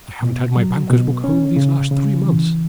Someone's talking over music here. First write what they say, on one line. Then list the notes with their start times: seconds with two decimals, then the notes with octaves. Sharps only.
I haven't had my banker's book home these last three months.
0.23 B2
0.56 F#3
0.90 B2
1.24 C#4
1.56 C#3
1.91 C#3
2.24 E3